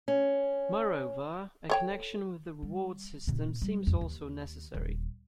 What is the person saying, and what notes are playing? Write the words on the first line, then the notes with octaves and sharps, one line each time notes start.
Moreover, a connection with the reward system seems also necessary.
C#4
A4 C#5 G5
G3
A#2 C#3
G3
B1 F2
D#2
D#1